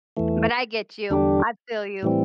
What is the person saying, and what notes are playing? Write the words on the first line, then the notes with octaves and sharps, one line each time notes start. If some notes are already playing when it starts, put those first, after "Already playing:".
But I get you, I feel you.
E2 E3 A3
E2 D3 G3 D4 G4
A2 E3 G3 C4